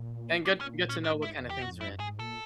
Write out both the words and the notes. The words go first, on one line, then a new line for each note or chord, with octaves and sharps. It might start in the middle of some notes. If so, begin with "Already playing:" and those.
and good good to know what kind of things you're in.
Already playing: A#2
D4
C#4
C#4
A2 D4
G#2 E4
F2
E2
G4
F2 F#4
F#2 E4
G#2 G#4
A#2 A4